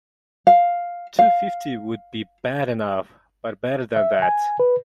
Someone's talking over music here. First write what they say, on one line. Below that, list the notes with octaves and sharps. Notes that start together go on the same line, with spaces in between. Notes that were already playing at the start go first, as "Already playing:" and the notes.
Two fifty would be bad enough, but better than that.
F5
F5
E5
G#5
B4